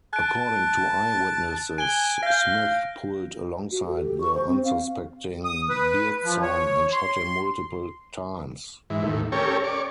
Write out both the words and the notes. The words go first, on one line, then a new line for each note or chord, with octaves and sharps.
According to eyewitnesses, Smith pulled alongside the unsuspecting Byrdsong and shot him multiple times.
A5 F#6 D7
G#5 D7 G7
F5 G6 A#6
F#4
A4
G4
C#6
C5
C4
F5
D#6
B4
F3
C#5
C6
G#2 E3
D#2 A2
C#4 G4 A4 A#4 C#5
C#5 D5